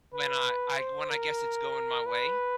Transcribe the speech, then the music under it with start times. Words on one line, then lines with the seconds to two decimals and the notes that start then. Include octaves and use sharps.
When I I when, I guess it's going my way.
0.14 B4
0.77 C5
1.10 A#4
2.06 B4